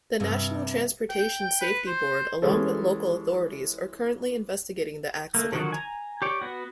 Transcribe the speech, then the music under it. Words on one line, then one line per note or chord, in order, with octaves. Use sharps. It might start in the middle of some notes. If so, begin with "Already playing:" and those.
The National Transportation Safety Board along with local authorities are currently investigating the accident.
G2 C3
G5
G5
B4
C5
E3 G3 G#3 C#4 A4
A3 A#3
D3 D#3 F3 F#3 F#4
G#5 A#5
G4 C#5 D5
B3 F#4